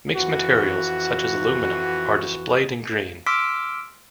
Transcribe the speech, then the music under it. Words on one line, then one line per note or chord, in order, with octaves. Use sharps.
Mixed materials such as aluminum are displayed in green.
F2 E3 F#4
C6 D6 E6 F6 B6 D7